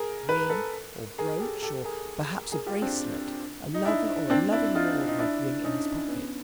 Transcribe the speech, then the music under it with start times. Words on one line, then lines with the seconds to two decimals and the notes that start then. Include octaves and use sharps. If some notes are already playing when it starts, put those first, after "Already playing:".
A ring, or brooch, or perhaps a bracelet, a lover or a loving lord may bring in his pocket.
Already playing: G#4 A#4
0.29 B4
0.49 A4 B4
1.18 G#4 A#4
1.40 G4 A4
1.62 G4 A4
1.84 G#4 A#4
2.52 G#4 A#4
2.66 F4 G4
2.82 C4 D4
3.74 D#4
3.85 D4 E4
4.30 C4 D4
4.52 D4 E4
4.75 D#4 F4
5.08 D#4
5.19 D4 E4
5.64 C#4 D#4
6.08 B3 C#4